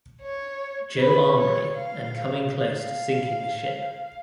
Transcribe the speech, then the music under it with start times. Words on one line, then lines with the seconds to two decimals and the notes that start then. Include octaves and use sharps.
Joe armory and coming close to sinking the ship.
0.22 C#5
0.99 B4
1.38 C#5
1.76 F5
2.54 F5